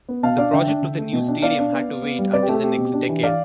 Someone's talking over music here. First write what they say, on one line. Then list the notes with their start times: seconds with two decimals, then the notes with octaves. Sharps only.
The project of the new stadium had to wait until the next decade.
0.09 B3
0.23 B2 F5 A5
0.38 D4 D5 F5
0.52 D3 E5 G5
0.68 D4
0.82 D3
0.98 A3
1.13 B2
1.28 D4
1.42 B3 D5 F5
1.59 D4
1.73 B3
1.89 B3
2.03 B3
2.19 G3
2.33 C4 B4 D5
2.43 G4
2.49 A3 A4
2.63 C4 G4
2.78 B2
2.93 D4
3.09 E3
3.23 E3 D5 F5